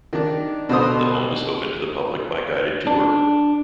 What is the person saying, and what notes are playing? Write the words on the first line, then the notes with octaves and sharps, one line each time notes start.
The home is open to the public by guided tour.
D#3 D4
B2 D3 C5 D#6
D4